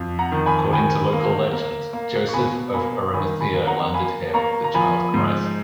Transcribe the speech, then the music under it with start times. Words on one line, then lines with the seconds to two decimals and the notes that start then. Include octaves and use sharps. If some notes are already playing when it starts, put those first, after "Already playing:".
According to local legend, Joseph of Arimathea landed here with the child Christ.
Already playing: F2
0.19 F#5 A#5
0.32 D#3
0.46 G#5 B5
0.72 D#3 G#5 B5
1.13 A#3
1.53 A#3
1.93 A#3
2.29 C#6
2.34 B2 G#5 B5
2.74 A#3 G#5 B5
3.13 D#3 G#5 B5
3.40 G#5 B5
3.54 A#3
3.67 F#5 A#5
3.94 A#3 G#5 B5
4.34 A#3 A#5 C#6
4.64 A#5
4.74 F3 G#5 B5
5.14 G#2